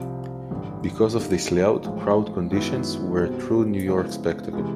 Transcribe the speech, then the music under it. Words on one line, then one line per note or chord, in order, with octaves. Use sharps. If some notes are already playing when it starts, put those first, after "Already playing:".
Because of this layout, crowd conditions were a true New York spectacle.
Already playing: C2 C3 F3
A1 G2 D3 G3
D3 G3 A#3 D#4
A1 A2 F3 G#3
F#2 D#3 G#3 B3 E4
B1 B2 G3 C4
C#3 F3 G#3 B3 E4
C3 E3 G#3